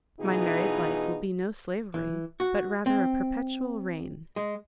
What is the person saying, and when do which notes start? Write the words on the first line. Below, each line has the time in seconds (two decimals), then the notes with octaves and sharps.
My married life will be no slavery, but rather a perpetual reign.
0.20 B2 E3 D#4 F4 G#4
1.94 E3
2.40 F#4
2.86 C4
4.36 G#3